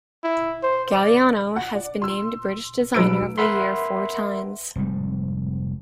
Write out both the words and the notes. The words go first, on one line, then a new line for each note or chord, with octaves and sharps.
Galliano has been named British Designer of the Year four times.
E4
C5
D5
F#5
D5
C6 E6
B1 F#3 B4 E6 D7
A#4 B4 E5 F#5 B5 C6
F1 G#2 G3